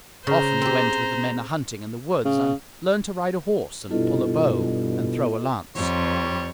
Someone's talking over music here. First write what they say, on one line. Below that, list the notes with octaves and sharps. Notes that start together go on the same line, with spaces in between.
Often he went with the men a-hunting in the woods and learned to ride a horse and pull a bow and throw a lance.
C#3 C5 A#5
C4 G4
C#3
G2 B2 E4 F4 A4 D#5
F2 G3 C#5